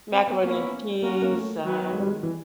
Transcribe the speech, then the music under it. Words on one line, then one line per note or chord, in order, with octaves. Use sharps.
Macaroni and cheese, um
C4
B3
A#3 B3 C#4 E4
B3
A#3 C#4 F#4 A#4
A#3
A3
D#3 F#3 B3
G#3
G3
G#3
E3